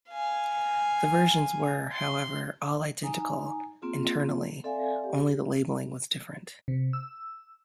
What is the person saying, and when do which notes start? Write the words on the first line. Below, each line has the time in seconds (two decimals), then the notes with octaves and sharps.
The versions were, however, all identical internally - only the labeling was different.
0.10 F5 G#5
1.93 C6
3.03 D#4 G#5 A#5
3.82 A#3 C4 F4 G#4
4.64 C4 A4 D5 E5 F5 G#5
5.04 G4
6.68 C3
6.93 E6